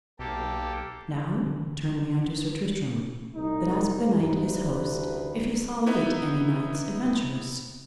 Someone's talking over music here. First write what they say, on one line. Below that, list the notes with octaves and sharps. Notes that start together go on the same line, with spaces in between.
Now turn we unto Sir Tristram, that asked the knight his host if he saw late any knights adventurous.
B1 A#3 G4 A4
D3 E3
C2 D#4
D2 E3 G3 D#4 G4 B4
B3 D#4 E4